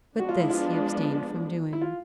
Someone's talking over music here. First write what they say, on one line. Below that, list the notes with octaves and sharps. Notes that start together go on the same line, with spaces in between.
But this he abstained from doing.
F3 G#3 B3 D4 F#4
F4
E4
F4
E4
F4